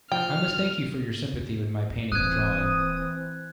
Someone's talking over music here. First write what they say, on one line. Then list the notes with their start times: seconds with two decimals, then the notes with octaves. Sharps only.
I must thank you for your sympathy with my painting and drawing.
0.12 F3 G5 F6
2.12 D#1 E3 A#3 C4 D#6 F#6 G#6